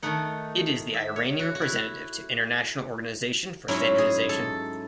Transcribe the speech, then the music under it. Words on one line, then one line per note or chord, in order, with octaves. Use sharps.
It is the Iranian representative to International Organization for Standardization.
D#3 A3 D#4 F#5
E5
C#5
F#4
F#4
E4
G#2 F#3 C#4 E4
G#4
A4